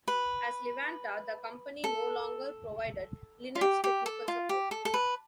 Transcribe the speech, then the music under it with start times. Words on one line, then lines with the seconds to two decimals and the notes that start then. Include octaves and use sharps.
As Levanta, the company no longer provided Linux technical support.
0.08 B4
1.84 A4
3.55 F4
3.61 G4
3.84 G4
4.06 A4
4.28 F4
4.49 G4
4.71 A4
4.85 A4
4.94 B4